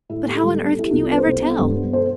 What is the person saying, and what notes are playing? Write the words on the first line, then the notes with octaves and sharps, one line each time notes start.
But how on earth can you ever tell?
A2 E4
A2 G4
A4
G3 G4
A4
B3 G4
A4
B2 E4 G4
C2 F4 A4
B3 B4
A4 C5
C2
B3
G2
B3
B2 A4 C5